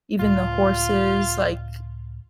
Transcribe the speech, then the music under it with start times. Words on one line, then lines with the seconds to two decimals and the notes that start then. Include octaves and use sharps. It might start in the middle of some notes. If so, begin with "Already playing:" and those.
even the horses, like,
0.19 C#2 A2 A3 F4